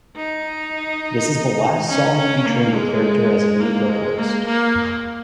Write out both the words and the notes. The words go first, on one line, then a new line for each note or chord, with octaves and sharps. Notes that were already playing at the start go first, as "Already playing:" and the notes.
This is the last song featuring the character as a lead vocalist.
D#4
C#4
C#4
A#3
G#3
A#3
G#3
A#3
A#3